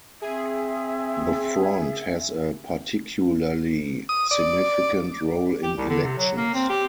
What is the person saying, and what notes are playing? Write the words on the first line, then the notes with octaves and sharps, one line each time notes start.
The Front has a particularly significant role in elections.
C4 G#4 E5
D#6
D5
G4
C2
D3
C3
F#3
A#3
C4
G4